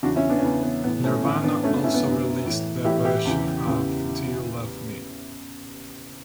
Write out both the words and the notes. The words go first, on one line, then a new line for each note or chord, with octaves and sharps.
Nirvana also released their version of Do You Love Me?
E2 C#3 E3 D4 F#4
C#4 E4
B3 D4
C#4
E2 C#3 E3 B3
B3
A2 E3 B3
A3 C#4
A2 E3 C#4 E4
B3 D4
F#2 D3 A3 C#4
B3 D4
C#4 E4
B3
F#2 D3
A2 E3
A2 E3 E4 G4
E4 G4
E2 C#3 E3
E2 C#3 E3